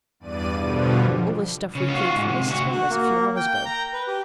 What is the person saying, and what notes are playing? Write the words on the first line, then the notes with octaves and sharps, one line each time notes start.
All this stuff we cleared from the Susquannas a few hours ago.
E2 G2 D5 D#7
B2 D3 F3 G3
C#3
F4 F#4
G#2
C3
D3 F#4
F#4
A#3
G5
G6
A#5
B4
G4